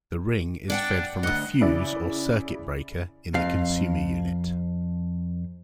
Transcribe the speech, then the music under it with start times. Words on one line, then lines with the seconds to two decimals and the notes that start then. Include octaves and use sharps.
The ring is fed from a fuse or circuit breaker in the consumer unit.
0.70 D4 D5 F#5 G5
1.23 D2 D#5 F#5
1.61 C#3 E4 D5
3.34 F2 F5